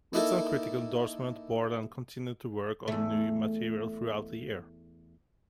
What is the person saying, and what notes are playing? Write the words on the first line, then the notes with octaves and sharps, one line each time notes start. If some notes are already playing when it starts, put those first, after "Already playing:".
With some critical endorsement Borland continued to work on new material throughout the year.
A#3 D#4 E4 A4 A#4
E2 A3